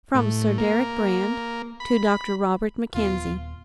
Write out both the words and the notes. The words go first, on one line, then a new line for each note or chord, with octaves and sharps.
From Sir Deryck Brand to Dr. Robert Mackenzie.
A2
A#3
B5
D#1 B3 F4